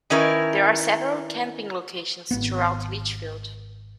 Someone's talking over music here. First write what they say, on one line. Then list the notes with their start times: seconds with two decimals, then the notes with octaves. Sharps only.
There are several camping locations throughout Litchfield.
0.10 D#3 C#4 E4 A#4 B4
2.31 G#1 B3